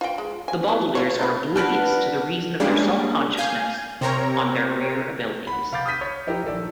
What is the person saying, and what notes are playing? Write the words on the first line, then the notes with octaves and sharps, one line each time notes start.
The Baudelaires are oblivious to the reason of their self-consciouness on their rare abilities.
F4 G5
G#3
G#5
B3 E4
A3 F4 C#5
F4 A#4 B4
D4 A#4 B4 F#5
G3 G#3 A#3 C#4 D4
F5 G#5 G6
C3 C4 A#4 C#5 A#5
F#5 B5
C3 F5 B5 D6 G6 A6
D#6 F6 G6 B6 D#7
C#5
F3 D#4 E4 G4 A#4
A#1 D#3 A4 D5